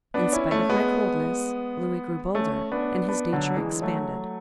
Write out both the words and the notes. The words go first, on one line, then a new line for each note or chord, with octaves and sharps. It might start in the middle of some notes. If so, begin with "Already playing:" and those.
In spite of my coldness, Louis grew bolder, and his nature expanded.
B3 D4
C#4 E4
A3 C#4
G#3 B3
A3 C#4
B3 D4
B3 D4
D3 F#3
E3 G#3
F#3 A3